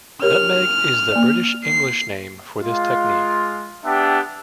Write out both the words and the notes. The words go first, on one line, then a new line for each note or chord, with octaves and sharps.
Nutmeg is the British English name for this technique.
G4 A#4 C#5 F6
A#3 D5
C7
G#3 F4
B3 D4 G4 E5 G5